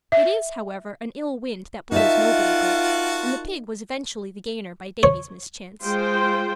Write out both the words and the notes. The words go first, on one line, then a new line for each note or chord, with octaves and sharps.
It is, however, an ill wind that blows nobody good, and the pig was eventually the gainer by Davy's mischance.
E5
D#4 F4 F#4 A#4 E5 F#5 A5
C#5
G#3 F4 C5 G5